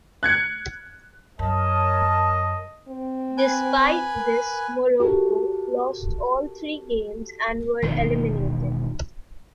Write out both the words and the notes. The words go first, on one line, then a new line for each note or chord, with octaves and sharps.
Despite this, Morocco lost all three games and were eliminated.
F#6 G#6 C#7
F#2 A#4 C#5 D#5 A5
C4
B4 G#5
A#4
F#4 G4 A4 A#4
E1 D#3 F3